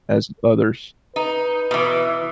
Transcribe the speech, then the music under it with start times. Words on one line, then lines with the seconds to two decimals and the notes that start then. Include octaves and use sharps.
as others,
1.16 D#4 B4
1.71 B2 E3